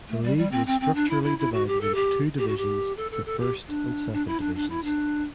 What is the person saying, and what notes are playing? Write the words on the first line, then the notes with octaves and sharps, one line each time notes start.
The league was structurally divided into two divisions the First and Second divisions.
A3
G3
G3
C4
C4
C4
D4
E4
E4
E4
F#4
G4
A4
G4
G4
F#4
G4
A4
A4
A4
G4
D4
D4
E4
D4
D4
E4
D4